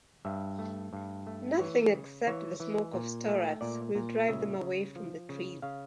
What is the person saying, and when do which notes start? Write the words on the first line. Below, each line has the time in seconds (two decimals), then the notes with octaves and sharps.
Nothing except the smoke of "storax" will drive them away from the trees.
0.25 G2 E5
0.59 A3
0.93 G2
1.27 A3
1.59 E3 C#5
1.93 C#3
2.27 E3 C#5
2.60 E3
2.93 A#2
3.28 A3
3.61 A#2 D5
3.95 A#2
4.28 C#3 E5
4.61 C#3
4.96 F3
5.29 C#3
5.62 C#3 F5